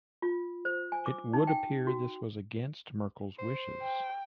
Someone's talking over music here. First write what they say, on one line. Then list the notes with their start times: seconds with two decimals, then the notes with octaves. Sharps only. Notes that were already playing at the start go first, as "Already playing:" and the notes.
It would appear this was against Merkle's wishes.
0.22 F4
0.65 C5
0.92 G#5
1.06 D6
1.33 D#4
1.47 G5
1.87 F#4
3.38 C5
3.82 G5